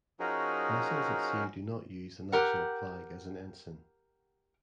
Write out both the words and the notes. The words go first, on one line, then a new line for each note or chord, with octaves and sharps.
Vessels at sea do not use the national flag as an ensign.
F3 C#4 D#4 F#4 G#4 A#4
G4 A#4 F#5